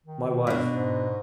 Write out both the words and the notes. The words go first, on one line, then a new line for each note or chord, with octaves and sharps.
"My wife!"
D#3
B2 D4
G#2